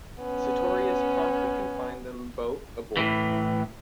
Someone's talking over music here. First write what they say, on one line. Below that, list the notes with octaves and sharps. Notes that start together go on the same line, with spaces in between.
Sartorius promptly confined them both aboard.
B3 C#4
A2 E3